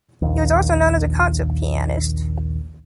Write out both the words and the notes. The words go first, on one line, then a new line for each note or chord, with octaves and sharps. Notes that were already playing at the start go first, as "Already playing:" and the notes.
He was also known as a concert pianist.
A#1 D#2